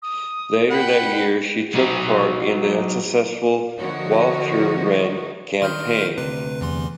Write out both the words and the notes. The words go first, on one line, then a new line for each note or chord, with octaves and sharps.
Later that year she took part in the unsuccessful Walcheren Campaign.
D#6
F#5 G5 B5
F#3 D#4
D3 F3 F#4 A#4 C#5 D#5
D#3 C6 F6 G6
D2 C3 B4
E2 E3 C6